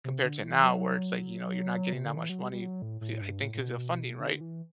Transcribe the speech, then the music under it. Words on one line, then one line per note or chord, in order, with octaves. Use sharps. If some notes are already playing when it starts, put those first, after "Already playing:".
compared to now where it's like, you know, you're not getting that much money. B I think 'cause of funding, right?
C3
D3
E3
F#3
C3
D3
E3
F#3
G3
G3
F#3
A2
A2
G2
A2
A2
B2
D3
E3